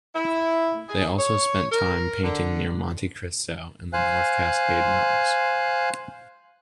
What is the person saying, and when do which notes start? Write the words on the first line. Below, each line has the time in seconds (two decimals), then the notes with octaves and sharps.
They also spent time painting near Monte Cristo in the North Cascade mountains.
0.15 E4
0.89 G#4
1.18 C#5
1.72 A#4
2.24 D3
3.93 C5 F5 G#5 F#6